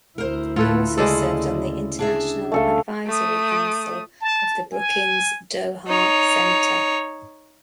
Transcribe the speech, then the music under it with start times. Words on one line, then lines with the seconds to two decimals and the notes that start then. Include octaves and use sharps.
He also served on the International Advisory Council of the Brookings Doha Center.
0.18 D2 E4 A#4 C5
0.56 A2 F4 A4 B4
0.98 C#3 G#3 A4 D5 D#5
1.99 D4 G#4 E5
2.52 C#2 C#3 A3 A4 F5
3.06 A3 D#6
4.21 A5
4.73 G#5
5.87 D#4 C#5